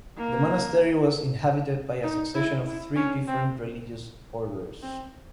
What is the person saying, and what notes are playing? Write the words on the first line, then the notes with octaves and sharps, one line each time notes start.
The monastery was inhabited by a succession of three different religious orders.
A#3
D#4
E4
E4
C#4
C4
C4